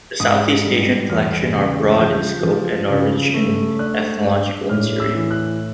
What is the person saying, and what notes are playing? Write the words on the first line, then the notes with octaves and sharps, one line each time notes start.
The Southeast Asian collections are broad in scope and are rich in ethnological material.
G#2 D#6
G3
E2 F6
C#3
F3 G6
F3
C#3
A3
D4 F#6
D4
A2 F6
E6
E3
F#6